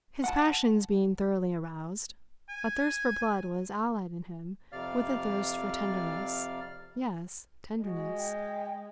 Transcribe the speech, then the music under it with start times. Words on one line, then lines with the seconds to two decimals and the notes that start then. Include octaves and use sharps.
His passions being thoroughly aroused, a thirst for blood was allied in him with a thirst for tenderness--yes, tenderness.
0.24 F#5 G5 A5
2.49 G#5
4.72 F2 C3 D5 F5 F6
7.84 G#3 F#4
8.18 G5